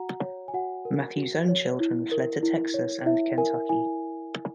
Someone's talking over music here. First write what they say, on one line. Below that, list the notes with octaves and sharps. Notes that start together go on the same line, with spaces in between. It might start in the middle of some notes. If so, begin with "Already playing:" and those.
Mathews own children fled to Texas and Kentucky.
Already playing: F#4 F#5 A#5
C#5
G#5
F#4 F#5
A#4
F#4
C#5
E4
A#4
E4
C#5
E4 E5
A#4 G#5
E4 G#5